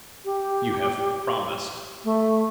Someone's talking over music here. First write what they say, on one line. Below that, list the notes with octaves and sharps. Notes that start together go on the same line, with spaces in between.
"You have promised!"
G4
A3